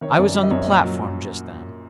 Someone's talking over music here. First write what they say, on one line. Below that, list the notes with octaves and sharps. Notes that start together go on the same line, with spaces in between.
I was on the platform just then.
D#3 C#5
F#2 D5
G3
D#5
F#2 C#5
E5
A#2 D#5
F#3
F#3